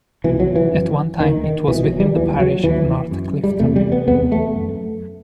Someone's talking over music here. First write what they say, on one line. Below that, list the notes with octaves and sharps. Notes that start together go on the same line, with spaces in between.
At one time it was within the parish of North Clifton.
C2 B2 E3
F#3
E3
F#2
D#2 D#3
D#3
C2 B2 E3
F#3
G3
D#2 E3
F#3
D#2 E3
F#2
G3
E2 C3 A3
G3
B3
E2 C3 B3
A3
F#2